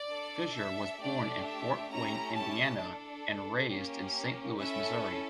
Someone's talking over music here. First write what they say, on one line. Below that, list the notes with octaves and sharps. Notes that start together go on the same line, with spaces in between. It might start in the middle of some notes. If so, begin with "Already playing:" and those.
Fischer was born in Fort Wayne, Indiana, and raised in Saint Louis, Missouri.
Already playing: D5
D4 A4
E5
A3 D4 G4 D5
E5
A3 C#4 E4 G4 A#5
A5
D4 A4
A#3 C#4 G4
C#4 E4 A4 E5